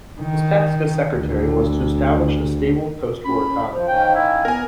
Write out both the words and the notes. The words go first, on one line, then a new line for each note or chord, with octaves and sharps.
His task as Secretary was to establish a stable postwar economy.
D#3
D2
C#4 B5
F3 C5
D#3 A#3 C#4 G5
E4
B3 A#4 G#5